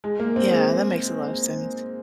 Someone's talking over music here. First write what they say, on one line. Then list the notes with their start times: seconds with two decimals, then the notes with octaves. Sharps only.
Yeah, that makes a lot of sense.
0.04 G#3
0.20 A#3
0.36 C4
0.51 G#3